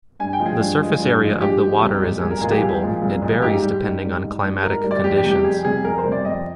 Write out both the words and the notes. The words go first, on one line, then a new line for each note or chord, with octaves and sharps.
The surface area of the water is unstable, it varies depending on climatic conditions.
G2 G#5
G5
F3 G#3
G#4
G2
F3 G#3
G2
F3 G#3
G2 G4
F3 G#3
C2
A#2 F3 G#3
C2 G#4
A#4
A#2 F3 G#3 G#4
G4
C2 G#4
A#2 F3 G#3
C2
A#2 F3 G#3
G#2 G4
G3
G#2
G3
G#2
G3
G#2 A#4
G3
D5
F2 G4
G4
C3 G3
G4
F2 G#4
C3 G3 G#4
F2 A#4
C5
C3 G3
D5
F2 D#5